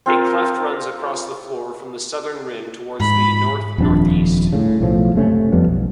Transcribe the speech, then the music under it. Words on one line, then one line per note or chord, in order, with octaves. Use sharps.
A cleft runs across the floor from the southern rim toward the north-northeast.
C4 F4 A#4
G#2 B5
D#1 F2 F3 D4
A2 C#3
B1 A2 F3
F#1 C3 A3 C#4
F2 F3 G3 B3
B1